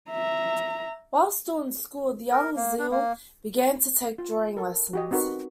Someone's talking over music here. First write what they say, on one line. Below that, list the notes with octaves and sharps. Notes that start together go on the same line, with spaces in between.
While still in school, the young Zille began to take drawing lessons.
E5 A#5
A#4
A#3
D4
A#3
F4
A4 A#4
F#4 G4 D#5
C4 D#4 F#4 A#4 B4